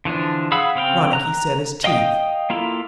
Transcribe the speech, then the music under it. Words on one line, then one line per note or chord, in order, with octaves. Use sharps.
Ronicky set his teeth.
D3 E3 F3 D4
G#4 F5 F#5 B5 E6
C#3 C4 F5 G5
A#5 F#6
D#5 F5 G5 D#6
A#3 E4 F4 A4